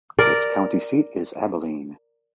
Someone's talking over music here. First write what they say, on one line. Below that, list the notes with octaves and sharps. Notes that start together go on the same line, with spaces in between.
Its county seat is Abilene.
A#4 D5